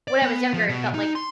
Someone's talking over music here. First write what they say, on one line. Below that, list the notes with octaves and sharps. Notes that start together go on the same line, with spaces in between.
When I was younger, it felt, like,
D5
B3
F3
B2
D#4
C6